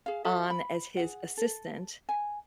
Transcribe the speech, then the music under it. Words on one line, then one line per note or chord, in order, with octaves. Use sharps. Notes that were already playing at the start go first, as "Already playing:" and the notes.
on as his assistant
G#4 F5
F#4 A4 E5
B5
G#4 F#5
A4
G#5